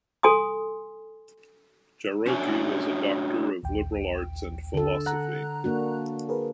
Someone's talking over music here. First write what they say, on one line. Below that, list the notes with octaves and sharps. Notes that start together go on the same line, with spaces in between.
Jarocki was a Doctor of Liberal Arts and Philosophy.
A4 G#5 C6 D#6
C#4 D4 F#4 C#5 E5 G#5
A#1 D#2 G5
D3 A4
F#5 A#5 F#6
A#3 D4 F#4
G#4 A#4 B4